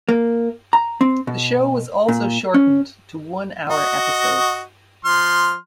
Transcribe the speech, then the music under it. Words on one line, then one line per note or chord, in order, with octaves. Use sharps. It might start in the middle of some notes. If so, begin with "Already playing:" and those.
The show was also shortened to one-hour episodes.
A#3
A#5
C4
B2
A#2
C#4
F#4 D#5
F3 C6 F6